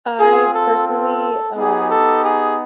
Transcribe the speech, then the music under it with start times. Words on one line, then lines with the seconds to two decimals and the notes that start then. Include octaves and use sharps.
I personally, um
0.19 C4 F4 G#4
0.53 A4
0.87 A4
1.55 B3 D#4 G4 G#4
1.89 A4
2.24 G#4